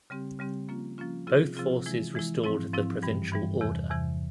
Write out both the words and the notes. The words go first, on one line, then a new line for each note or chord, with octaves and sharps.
Both forces restored the provincial order.
C#3 G3 C4 G4
C#3 G3 C4 G4
F3 A#3 C#4 F4
F3 A#3 C#4 F4
C3 F3 C4 F4 G#4
C3 F3 C4 F4 G#4
E3 G#3 E4
E3 G#3 E4
G#2 F3 C4 E4
G#2 F3 C4 E4
G2 E3 G3
G2 E3 G3
E2 C3 E3
E2 C3 E3